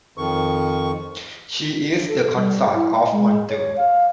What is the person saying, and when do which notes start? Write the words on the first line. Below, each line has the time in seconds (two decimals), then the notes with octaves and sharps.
She is the consort of Montu.
0.17 F2 D#3 C#6
2.08 A4
2.36 G3
2.74 E4
2.95 D#5
3.12 G#3
3.50 C#5
3.77 F5